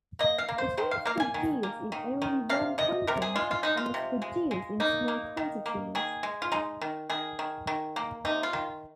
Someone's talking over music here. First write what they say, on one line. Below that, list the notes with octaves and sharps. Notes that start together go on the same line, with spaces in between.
It was produced in only one printing, and was produced in small quantities.
A#3 D#5
F5
A#3
C5
D#3 C5
F5
A#3 F5
G#5
D#3
A#3
D#3
D#3
C3 F5
C3 D#5
C3 A#4
G#4
G#3 F4
F4
G#3 D#4
F4
C3
G#3
G#3
A#3 D#4
A#3
D#3
A#3
D#3 G#4
G#3
F4
G#3 D#4
D#3
D#3 G#4
D#3
D#3
A#3
C3 D#4
F4
D#3